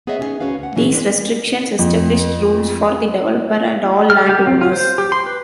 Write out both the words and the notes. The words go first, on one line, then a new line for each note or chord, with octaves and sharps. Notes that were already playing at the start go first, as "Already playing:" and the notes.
These restrictions established rules for the developer and all land owners.
B3 G#4 B4 C#5 D#5 E5
B3 C#4 D#4 F#4 G#4
D2 C#4 F#4 B4 F5
D2 F#5
A#2 E3 F#3 C#4 F#4 G#4
F2 G#3 C4 D4
F2
F6
G4
C4
F4
C5
G4
C6
B4